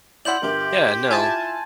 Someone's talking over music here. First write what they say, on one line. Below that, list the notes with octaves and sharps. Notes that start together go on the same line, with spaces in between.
Yeah. No.
E4 D5 F#5 C6 G6 F#7
G1 G4 A#4
E4 F4 G#5 A5 G#6